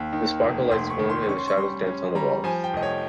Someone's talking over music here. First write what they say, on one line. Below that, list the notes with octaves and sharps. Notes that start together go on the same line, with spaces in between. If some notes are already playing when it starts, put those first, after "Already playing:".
The sparkle light swung, and the shadows danced on the walls.
Already playing: D#2
D#3
F1
F1 C6
C#6
D#3
C6
C#4 C#6
C6
C#6
G3 C6
C#4
G3 A#5
F3 G#5
G5
F1 D#5
C#5